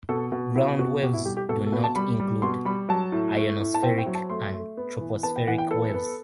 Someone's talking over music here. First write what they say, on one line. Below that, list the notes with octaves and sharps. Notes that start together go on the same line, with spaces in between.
Ground waves "do not" include ionospheric and tropospheric waves.
B2 A4
B2
B2 E4
B2 F#4
B2 G4
E4
G3 G4
G4
B2 A4
A4
B2 B4
A5
G3 B5
G3
B2 C6
G3 B5
F#3 A5
A2
A3
A2
A5
C4 G5
G5
F#3
A5
A3 C6
A3
B3
E3
B3 A5
G5
E3 F#5
G5
B3 A4
B3